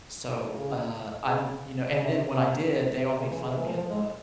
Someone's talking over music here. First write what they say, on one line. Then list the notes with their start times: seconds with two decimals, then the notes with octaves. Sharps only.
So, uh, I'm you know, and then when I did, they all made fun of me at the
0.53 C#3
1.23 C#3
1.92 C#3
2.04 C3
2.15 C3
2.27 C3
2.96 C3
3.08 C3
3.20 C#3
3.31 E3
3.40 C#3
3.48 C3
3.56 E3
3.65 F3
3.77 F3
3.88 G#3